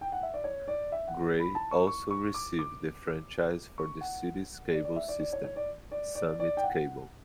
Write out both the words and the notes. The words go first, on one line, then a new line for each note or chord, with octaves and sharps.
Gray also received the franchise for the city's cable system, Summit Cable.
G5
F#5
E5
D5
C#5
D5
E5
F#5
B5
A5
C#6
C#6
C#6
D6
D6
C#6
F#5
D5
D5
E5
D5
D5
C#5
C#5
D5
D5
D5
D5
G5
F#5